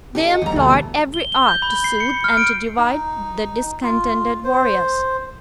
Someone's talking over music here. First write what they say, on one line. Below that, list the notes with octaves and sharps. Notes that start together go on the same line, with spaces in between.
They employed every art to soothe and to divide the discontented warriors.
D#4 G4 A4 D#5
D#2 G#2 G3 A#5
D2 B2 E3 G3 A4
G7
G7
G6
B5
C7
C#7
F6
D7
D#4
F4
C5